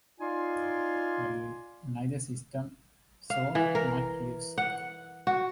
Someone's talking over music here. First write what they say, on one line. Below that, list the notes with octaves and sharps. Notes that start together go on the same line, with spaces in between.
Neither system saw much use.
D#4 F4 D5 F5 G#5 C6
F5
E3
A#4
F#5
F#4